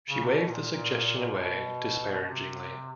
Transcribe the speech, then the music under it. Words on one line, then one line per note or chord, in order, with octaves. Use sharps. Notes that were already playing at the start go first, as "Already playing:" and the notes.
She waved the suggestion away disparagingly.
C#3
C3
B2
A#2
A#2
A#2
B2
B2
C3